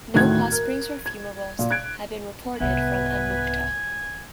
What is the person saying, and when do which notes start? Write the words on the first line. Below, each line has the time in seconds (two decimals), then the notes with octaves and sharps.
No hot springs or fumaroles have been reported from Amukta.
0.14 D2 A2 D#3 F#6 G#6
0.52 A#4
1.06 G#6
1.59 A#2
1.70 F#6 G#6 D7
2.60 C2 G#2 B3 B4 E5 F#5 G#5